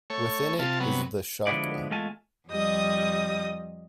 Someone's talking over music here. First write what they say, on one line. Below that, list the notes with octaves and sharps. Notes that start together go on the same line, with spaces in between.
Within it is the chakra.
A3 C#5
C3 F4 A5
F#3 B3
D3 F3 G#3 B3 E4 D5
E2 G#3 A3 F4 G#5 A5
F2 G3 D#5 D#6